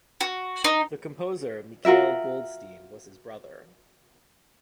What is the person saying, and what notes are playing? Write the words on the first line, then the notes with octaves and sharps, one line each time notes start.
The composer Mikhail Goldstein was his brother.
F#4
D#4
F4 F#4 A#4 E5